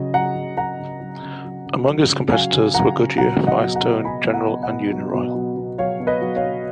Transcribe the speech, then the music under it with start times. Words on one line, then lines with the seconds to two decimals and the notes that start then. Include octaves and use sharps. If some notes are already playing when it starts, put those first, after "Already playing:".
Among its competitors were Goodyear, Firestone, General and Uniroyal.
Already playing: C#3 F#3 D#5
0.14 F#3 F#5 A#5
0.36 C#3
0.57 F#3 F#5 A#5
0.80 C#3
1.01 F#3
1.23 C#3
1.45 F#3
1.66 C#3
1.88 F#3
2.10 C#3
2.31 F#3 F5 G#5
2.53 C#3
2.74 F#3 F#5 A#5
2.96 C#3
3.18 F#3 F#5 A#5
3.39 B2
3.47 D#5 F#5
3.62 F#3
3.75 F#5 A#5
3.83 B2
4.05 F#3 G#5 B5
4.27 B2
4.34 F#5 A#5
4.48 F#3
4.63 D#5 F#5
4.70 B2
4.92 F#3
5.13 B2
5.35 F#3
5.57 B2
5.78 F#3 C#5 F5
6.00 B2
6.07 B4 D#5
6.22 F#3
6.36 C#5 F5
6.44 B2